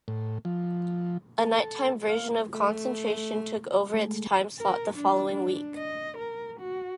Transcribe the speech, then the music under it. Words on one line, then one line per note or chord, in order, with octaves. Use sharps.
A nighttime version of "Concentration" took over its time slot the following week.
A2
F3
A4
F5
A3
G#3 A3
A#4
D4
D4
D#5
A#4
F#4